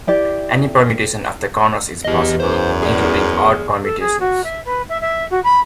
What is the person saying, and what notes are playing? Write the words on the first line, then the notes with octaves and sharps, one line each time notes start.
Any permutation of the corners is possible, including odd permutations.
E4 G4 D5
E2 G4 D#5
F#2 C5
G#4 D5
A4
G#4
F#4
E5
B4
E5
E5
F#4
B5